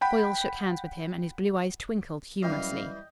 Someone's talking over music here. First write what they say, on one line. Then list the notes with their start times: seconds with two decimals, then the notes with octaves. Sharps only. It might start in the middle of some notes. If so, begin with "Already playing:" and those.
Foyle shook hands with him, and his blue eyes twinkled humorously.
0.01 F#5 G5 B5
2.43 F#2 E3 G3 D#5 F5 G5